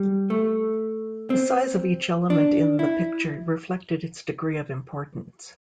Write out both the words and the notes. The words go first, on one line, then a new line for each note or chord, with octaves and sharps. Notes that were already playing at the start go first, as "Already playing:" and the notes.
The size of each element in the picture reflected its degree of importance.
Already playing: G3
A3
C4
D4
E4